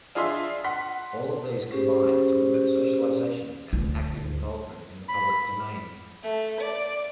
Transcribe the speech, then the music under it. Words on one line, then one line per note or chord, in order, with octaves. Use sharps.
All of these combine to limit socialization and active involvement in the public domain.
D4 F4 G#4 D#5 E5 C6
F#5 C6 B6
C#4 G4 G#4 C5
D2 F4
B5
A3
D5